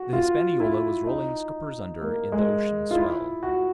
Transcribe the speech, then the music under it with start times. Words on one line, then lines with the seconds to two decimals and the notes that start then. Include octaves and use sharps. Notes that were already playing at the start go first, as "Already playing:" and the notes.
The HISPANIOLA was rolling scuppers under in the ocean swell.
Already playing: F#4
0.13 F4
0.60 E4
1.07 D#4
2.02 A#3
2.32 G#3
2.91 F4
2.96 E4
3.43 F#4